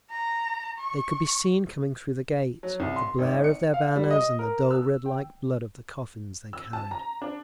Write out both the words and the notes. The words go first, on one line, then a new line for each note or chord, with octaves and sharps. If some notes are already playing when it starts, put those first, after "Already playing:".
They could be seen coming through the Gate, the blare of their banners, and the dull red--like blood--of the coffins they carried.
A#5
C#6
F#3
C2
C6
G#1
C#7
F5
G3
D#5
A#4
E6
G5
E6
A5
A#5
D4